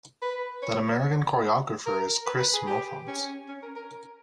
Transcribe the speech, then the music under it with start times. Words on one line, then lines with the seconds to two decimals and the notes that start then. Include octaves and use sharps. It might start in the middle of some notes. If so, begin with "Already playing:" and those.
That American Choreographer is Kris Mohfanz.
0.22 B4
0.63 C#5
1.86 A#4
2.26 B4
2.40 B4
2.53 G#4
2.67 G4
3.07 C#4
3.49 C#4
3.63 A#4
3.76 A#4